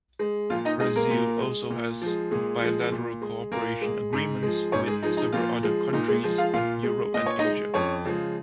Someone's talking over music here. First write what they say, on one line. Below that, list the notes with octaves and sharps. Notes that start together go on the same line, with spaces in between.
Brazil also has bilateral cooperation agreements with several other countries in Europe and Asia.
G#3
A#2 F3 F4
D#4 D#5
G#3 D#4 D#5
A#3 A#4
A#2
G#3
A#2
F3 G#3
A#2 G#3 G#4
F3 G#3
A#2
G#3
A#2 A#3 A#4
G#3
G#2
F3 G#3
G#2 C#4 C#5
G#3 G#4
F3 G#3 D#4
D#4
A#2 F3 F4
F3 G#3
A#2 D#4
G#3 G#4
F3 G#3
F4 F5
A#2 F4 F5
G#3
A#2 D#5
C#5
D#4 D#5
G#3
F2 C#4 C#5
C#3 F3 G#3